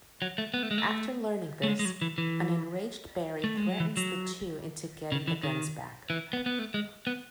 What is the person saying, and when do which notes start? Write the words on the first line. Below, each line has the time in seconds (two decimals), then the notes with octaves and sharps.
After learning this, an enraged Barry threatens the two into getting the guns back.
0.22 F#3
0.38 A3
0.54 B3
0.63 A3
0.71 G#3
0.78 A3
1.63 A3
1.68 G#3
1.79 G#3
1.85 F#3
2.02 E3
2.18 E3
3.44 A3
3.57 G#3
3.69 F#3
3.80 E3
3.97 F#3
5.12 C#3
5.28 E3
5.43 D#3
6.10 E3
6.33 B3
6.46 B3
6.59 A3
6.74 G#3
7.07 B3